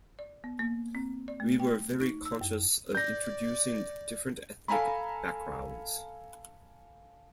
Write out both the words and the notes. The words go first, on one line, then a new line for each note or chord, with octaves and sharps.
We were very conscious of introducing different ethnic backgrounds.
D5
B3
A#3
C4
D5
A3
G5
D#4
E6
F#2
D5 G6 A#6
A4 F5 G#5 A#5 B5